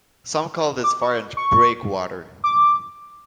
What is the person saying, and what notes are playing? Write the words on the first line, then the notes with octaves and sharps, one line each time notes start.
Some call this variant "Breakwater".
D6
C#6
C#6
D6